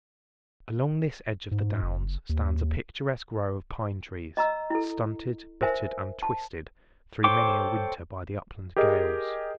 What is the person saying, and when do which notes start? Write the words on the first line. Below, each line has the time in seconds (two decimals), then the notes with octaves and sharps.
Along this edge of the Downs stands a picturesque row of pine-trees, stunted, bittered, and twisted through many a winter by the upland gales.
1.52 G#2
1.83 F#1
2.29 D#2
4.37 D#5 A#5 E6
4.70 E4 A4
5.61 A#4 C5 E5 G#5
6.23 A5
7.24 A4 C5 C#5 G5 D6
8.76 G4 G#4 A#4 D#5